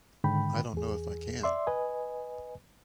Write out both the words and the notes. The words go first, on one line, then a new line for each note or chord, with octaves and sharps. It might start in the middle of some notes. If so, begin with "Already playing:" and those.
I don't know if I can.
G#2 D3 D#3 G5 B5
E2 G#4
D5 E5 C6
B4 D#5 G#5